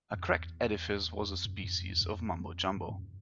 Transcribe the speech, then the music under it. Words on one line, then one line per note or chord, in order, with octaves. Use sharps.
'A cracked edifice was a species of Mumbo Jumbo'.
F2
E2
F2
F#2
F2
E2
F2
F2
F#2